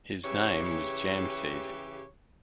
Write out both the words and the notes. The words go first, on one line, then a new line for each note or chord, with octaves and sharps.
His name was Jamseed.
C#3 E3 G4 C#5